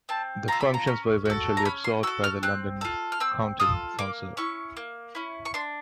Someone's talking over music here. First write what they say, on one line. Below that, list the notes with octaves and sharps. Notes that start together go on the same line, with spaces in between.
The functions were eventually absorbed by the London County Council.
C4 A5
F4 A4 A#5
B5
A#5
C#4
F#4 A4
A#5
C#4 B5
C6
F#4 A4 E6
F6
C4 F#6
F4 A4
F6
C4 E6
F4 A4 D#6
A#3 D6
C#4 E4 C#6
A#3
C#4 E4
C#6
D4 C6